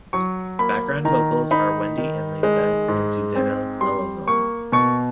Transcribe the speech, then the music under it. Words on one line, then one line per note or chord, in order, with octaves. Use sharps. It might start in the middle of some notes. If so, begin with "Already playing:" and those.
Background vocals are Wendy and Lisa, and Susannah Melvoin.
F#3 C#6
A#3 B5
D#3 A#5
D#4 B5
D#3
G#3
G#2
C4
G3 C6
A#3 C#6
B2 C#6